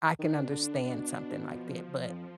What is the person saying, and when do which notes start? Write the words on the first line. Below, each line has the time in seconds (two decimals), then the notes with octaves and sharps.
I can understand something like that, but
0.19 D#3 D4
0.43 B2
0.50 D3
0.82 B2
1.45 F3
2.09 F2